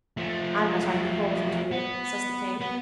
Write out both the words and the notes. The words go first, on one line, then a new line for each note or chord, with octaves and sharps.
"And that I'm beholden to you," says the king.
F3 A3
B3
B3 B4